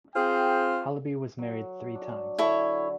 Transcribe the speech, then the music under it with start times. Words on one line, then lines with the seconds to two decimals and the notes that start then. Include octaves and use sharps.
Halaby was married three times.
0.15 C4 F4 G#4 C5 G5
1.39 F#3
1.95 D4
2.39 D3 E4 A4 C#5